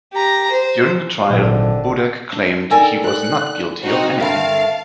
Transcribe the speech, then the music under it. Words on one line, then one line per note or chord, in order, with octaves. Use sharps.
During the trial, Budak claimed he was not guilty of anything.
G4 A#5
C5
G#1 A#2 D3 F#3 F#5
D4
D#4 A4 A#4 D5 G5 G#5
F#6
C4 D#4 F#4 C5
G2 D3 A#4 E5 F5 G5 A5